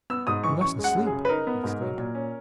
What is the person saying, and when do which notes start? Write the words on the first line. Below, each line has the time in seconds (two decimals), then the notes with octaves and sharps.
"You mustn't sleep!" he exclaimed.
0.10 B3 E6
0.27 G#2 D#6
0.44 E3 C#6
0.61 F#2 C#6
0.79 G#3
0.84 F#5
0.96 F#2
1.06 G#4
1.12 C#3
1.25 B4
1.29 D#4 A#4
1.47 B3
1.64 G#2
1.81 F#3
1.98 A#2
2.15 C#4